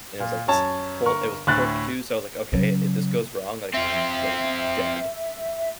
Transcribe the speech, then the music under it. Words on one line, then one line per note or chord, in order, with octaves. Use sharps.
and it was like this pull it was pork too, so I was like, "Okay, if this goes wrong, like, I'm gonna be dead,
A#2
F#2 C#5 A5
G1 A#4 C#6
D2 A2 F#6 A6
C#3 F#3
C4 F4 E5